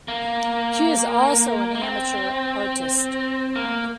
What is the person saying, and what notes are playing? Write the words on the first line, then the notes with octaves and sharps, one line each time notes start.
She is also an amateur artist.
A#3
A#3
C4
A#3